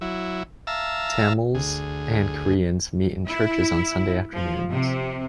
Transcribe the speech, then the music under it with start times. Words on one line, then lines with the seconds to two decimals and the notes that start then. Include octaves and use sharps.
Tamils and Koreans meet in churches on Sunday afternoons.
0.01 F#3 E4
0.67 E5 F5 A5 A#5 E6
1.55 D2 G#4
3.27 E4
4.35 F3
4.72 C3